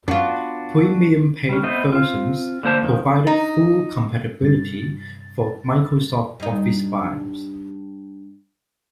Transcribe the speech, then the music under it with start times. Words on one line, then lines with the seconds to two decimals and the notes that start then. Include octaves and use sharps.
Premium paid versions provided full compatibility for Microsoft Office files.
0.08 F#2 B3 D4 F4 F#4
1.49 G3 C#4
1.63 A3 B3 C4 D#5
1.92 C4 F4
2.63 D3 A#3 C5 A5
2.82 F2 D#3 F3
3.27 D#4
4.42 G2 C3 A6
6.40 G2 D#4